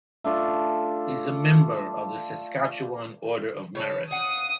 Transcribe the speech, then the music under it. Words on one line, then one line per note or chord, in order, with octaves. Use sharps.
He is a member of the Saskatchewan Order of Merit.
A3 D4 F4 A5
C#3 C#5 A5
F5 F#5 D#6